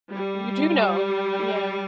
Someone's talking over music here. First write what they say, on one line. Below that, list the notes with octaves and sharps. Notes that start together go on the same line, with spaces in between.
You do know, yeah.
G3